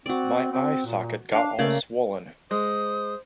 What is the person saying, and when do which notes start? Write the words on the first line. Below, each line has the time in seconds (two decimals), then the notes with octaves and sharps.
My eye socket got all swollen.
0.06 C4 F#4 D5
0.52 C4
0.86 A#2
1.31 D4 F5
1.59 C#3 A3 A#3 D5
2.51 G#3 C5 D#6